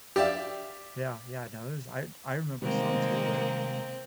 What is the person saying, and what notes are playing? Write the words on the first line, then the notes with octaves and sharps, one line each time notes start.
Yeah, yeah. No, it was I d I remember some too where,
G4 D5 E5 F5
C3 D#3 G3 G#3 A#3 C4